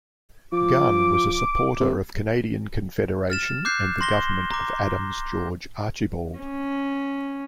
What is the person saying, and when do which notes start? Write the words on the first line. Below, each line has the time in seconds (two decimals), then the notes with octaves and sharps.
Gunn was a supporter of Canadian Confederation and the Government of Adams George Archibald.
0.53 F3 D6
1.80 C3
3.30 F6 A6 E7
3.65 D6 F#6 G6 C7
4.01 C6 A#6 G7
4.51 A#5 D6
6.38 C#4